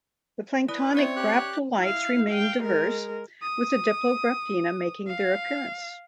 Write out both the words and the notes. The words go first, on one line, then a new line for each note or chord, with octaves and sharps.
The planktonic graptolites remained diverse, with the Diplograptina making their appearance.
E4 B4 D5 D#6
C4 C#4 C#5 D5 E5
G4 F#6
E4 F5
F5 G5
G#3 A#4
D#6
F5